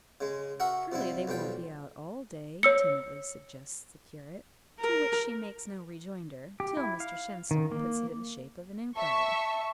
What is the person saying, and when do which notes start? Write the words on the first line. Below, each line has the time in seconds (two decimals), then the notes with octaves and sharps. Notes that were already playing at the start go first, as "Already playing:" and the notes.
"Surely, they won't be out all day," timidly suggests the curate; to which she makes no rejoinder, till Mr Shenstone puts it in the shape of an inquiry.
0.21 C#3 G#3
0.60 F#4 A#4 E5 F#5
0.92 C3 F3 G3 E4
1.28 B1 F3 G3 G5
2.63 C#5 E6 C#7
4.81 A#4
6.60 G4
6.77 E4
7.00 F5
7.51 D#3
7.72 A#3
8.96 E5 A5 C#6